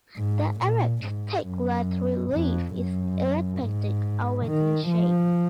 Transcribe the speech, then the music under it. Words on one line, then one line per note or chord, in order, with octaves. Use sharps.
The erect, thick, leathery leaf is elleptic-ovate in shape.
G#2
A#2
G#2
F#2
F2
F#2
G#2
D#3
F3